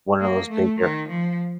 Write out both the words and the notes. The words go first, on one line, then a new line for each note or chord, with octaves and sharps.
one of those bigger
A#3
A3
D#3
F3